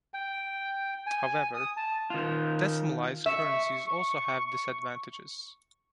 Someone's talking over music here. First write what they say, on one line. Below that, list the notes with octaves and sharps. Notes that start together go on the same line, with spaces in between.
However, decimalised currencies also have disadvantages.
G5
G#5
D#6
A5
D#3 F4
E5 C#6